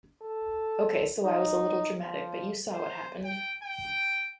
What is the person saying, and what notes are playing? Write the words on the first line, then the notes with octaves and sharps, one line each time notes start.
Ok, so I was a little dramatic, but you saw what happened!
A4
D#4
F3
C5
G5
G5